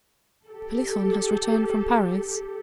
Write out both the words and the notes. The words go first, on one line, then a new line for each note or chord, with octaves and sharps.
"Pelisson has returned from Paris."
G4 A4